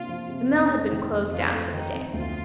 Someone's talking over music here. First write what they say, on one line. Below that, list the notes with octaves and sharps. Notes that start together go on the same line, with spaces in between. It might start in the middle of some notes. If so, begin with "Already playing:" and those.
The mill had been closed down for the day.
Already playing: C3 A#3 D4 F4
F3
C3
F2
A3
D#3
F2
F2 F4
A3
D#3 D#4
F2
D2 F4